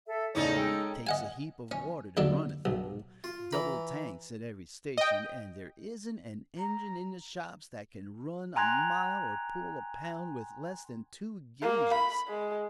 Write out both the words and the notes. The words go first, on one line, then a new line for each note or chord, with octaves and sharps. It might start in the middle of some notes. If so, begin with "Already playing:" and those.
Takes a heap of water to run it, though; double tanks at every station, and there isn't an engine in the shops that can run a mile or pull a pound with less than two gauges.
A4 E5
E2 A2 C#3 C#4 D#4 A4 D5
G#3 G5 E6
D#5 F#5 G#5
C#4
D#2 D3 F#3 D4
B1
F4
E3 A#5 B5
D#5 G5
A#5
G5 G#5 A#5 C6 F#6 G#6
A#3
B5
G#3